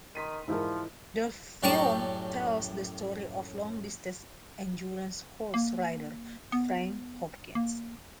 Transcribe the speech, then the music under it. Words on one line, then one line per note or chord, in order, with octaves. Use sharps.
The film tells the story of long-distance endurance horse rider, Frank Hopkins.
D#3 C6 B6 D#7
G#2 E3 F3 G#3 E4 A#4
F#2 A2 G4 D5 A#5 C#6
A#3
B3
A#3